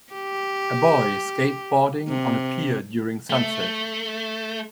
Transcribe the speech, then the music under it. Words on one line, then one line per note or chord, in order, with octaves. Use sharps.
A boy skateboarding on a pier during sunset.
G4
C3
A3